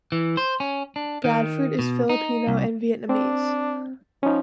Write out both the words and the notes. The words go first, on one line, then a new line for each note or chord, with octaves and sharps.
Bradford is Filipino and Vietnamese.
E3
C5
C#4
D4
D#3
B2
D#4
C2
C4 D4
F3 C#4 D#4